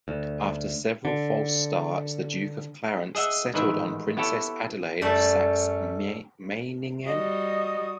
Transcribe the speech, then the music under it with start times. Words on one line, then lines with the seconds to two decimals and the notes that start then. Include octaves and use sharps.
After several false starts, the Duke of Clarence settled on Princess Adelaide of Saxe-Meiningen.
0.08 D2
1.05 D3
3.15 G#4 D#5 E5 F#5
3.54 A1 G#2 D#3 B4 E5
4.17 B3 E4 G4 A4 C#5
5.01 F#2 G3 A3 D5
7.06 G3 F#4 D#5 D#6